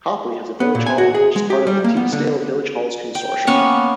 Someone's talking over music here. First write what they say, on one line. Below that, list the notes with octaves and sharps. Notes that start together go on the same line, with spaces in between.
Copley has a Village Hall which is part of the Teesdale Village Halls' Consortium.
B3
A#2
G#5
F#4
G#4
G#3
G4
G3
A#3
B3
D3
G5
A#3 B3 C#4 C#6